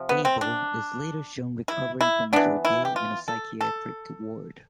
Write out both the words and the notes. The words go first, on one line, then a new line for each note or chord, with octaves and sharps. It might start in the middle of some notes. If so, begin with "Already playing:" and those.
Abel is later shown recovering from his ordeal in a psychiatric ward.
Already playing: C3 F3
B3
C4
D4
E4
E4
E3 B3 D4
E4
G4
F4
A4
A4